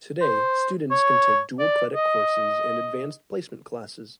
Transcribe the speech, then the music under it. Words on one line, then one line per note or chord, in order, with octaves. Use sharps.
Today, students can take Dual-credit courses and Advanced Placement classes.
C5
C#5
D5
D#5